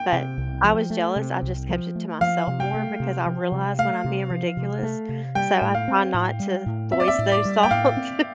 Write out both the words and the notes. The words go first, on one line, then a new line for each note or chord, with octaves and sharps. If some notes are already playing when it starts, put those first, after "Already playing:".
but I was jealous, I just kept it to myself more because I realize when I'm being ridiculous, so, I try not to voice those thoughts.
Already playing: G5
C3
C2
F3
A3
C3
C2
F3
A3
F3 F5
C3
G5
A3
C3
F3
C3
A3 F5
C3
F3
C3
A3
C3
G3 G5
A2
F5
C4
A2
G3
A2
C4 E5
D5
E5
A2
D5
G3
G5
A2 F5
C4